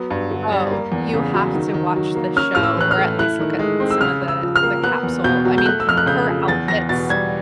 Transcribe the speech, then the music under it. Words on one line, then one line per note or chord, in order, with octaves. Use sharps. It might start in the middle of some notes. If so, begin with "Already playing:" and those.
Oh, you have to watch the show, or at least look at some of the the capsule. I mean, her outfits
Already playing: F#3 B3
G2
D3
G3
A#3
E2
C#3
F#3
D#3
D#3
F#3
A#3
C#4 F6
A2 F6
E6
E3 F#6
F6
A3
E4 F#6
D#3
G#3
C4
E6
C#3 F6
C#3
E6
F3
F6
A#3
B3 F#6
E2
B2 G6
F#3
G6
A3 F#6
E6
F2 F6
F#6
C#3 G6
F3
E2 A6
E2 A#6
B2 A6
G3 G#6